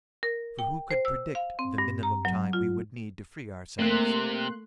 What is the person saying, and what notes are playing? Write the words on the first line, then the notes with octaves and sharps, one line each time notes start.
For who could predict the minimum time we would need to free ourselves?
A#4
G5
C5
E6
F5
C4
G2
A#5
F#3
F4
C3 A3 A#3 A#4 C6 F#6